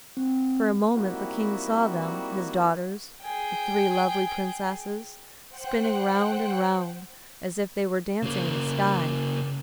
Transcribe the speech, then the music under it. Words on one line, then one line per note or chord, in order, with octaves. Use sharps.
For a moment the King saw them, his daughters, the three lovely princesses, spinning round and round, as if they were dancing in the sky.
C4
G3 A#3 C4 D#4 E4 F#4
G#4 G5
C5 F#5 G5 F#6
C#3 A#3